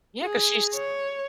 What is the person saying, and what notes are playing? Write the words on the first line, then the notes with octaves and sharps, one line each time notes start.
Yeah, 'cause she's
G#4
C#5